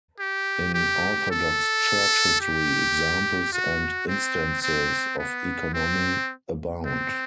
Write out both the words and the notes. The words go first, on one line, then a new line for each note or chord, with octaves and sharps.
In Orthodox Church history, examples and instances of economy abound.
G4
G4
A4
G4
F#4
C4
C4
B3
C4
C4